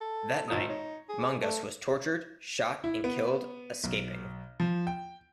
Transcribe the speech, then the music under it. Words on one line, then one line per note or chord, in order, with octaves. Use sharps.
That night, Mangas was tortured, shot and killed "escaping".
A4
G#1 A#2 D#6
D#4 C#5
G#4
A3
E4
B3
B1
F3
G5